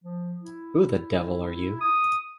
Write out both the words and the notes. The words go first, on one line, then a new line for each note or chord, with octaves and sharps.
Who the devil are you?
F3
E4
D#6